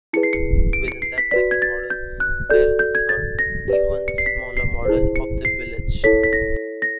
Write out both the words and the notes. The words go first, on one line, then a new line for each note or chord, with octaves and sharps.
Within that second model there is a third, even smaller model of the village.
E4 G#4 B4 C#7
C7
C#7
D7
C#7
C7
B6
F#4 B4 D5 B6
G#6
A6
G6
F#6
F#4 A4 D5 G6
G6
G#6
A6
A#6
G4 B4 D5
C#7
C7
B6
C7
E4 G#4 C5
C#7
C7
E4 A4 C#5 B6
B6
A#6
A#6